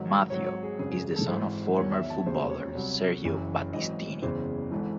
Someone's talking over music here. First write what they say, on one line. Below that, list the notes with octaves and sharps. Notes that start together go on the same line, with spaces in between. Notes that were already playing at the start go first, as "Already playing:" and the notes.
Matteo is the son of former footballer Sergio Battistini.
Already playing: G#1 G#2 D#3 F#3
G#1 G#2 F#3 C#5
C#5
G#4
G#1 F#2 C#3 G#4
G#4
G#4
A4
G#1 G#2 E3 C5
E2 D#3 F#3 C#5
E5
A5
E1 D#2 C#3 C5
C#5
C2 C3 F#3
F#1 F#2 E3
G#1 F#2 E3 D#5
F#1 E2 C#3 E3 C5
G#1 G#2 E3 A4